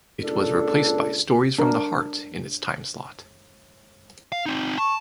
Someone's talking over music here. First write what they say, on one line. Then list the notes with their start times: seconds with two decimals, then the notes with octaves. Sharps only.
It was replaced by "Stories from the Heart" in its timeslot.
0.23 C#2 A#2 D4 A4
1.59 D4 A#4
4.32 F5
4.46 C4 D#4
4.78 A5 C#6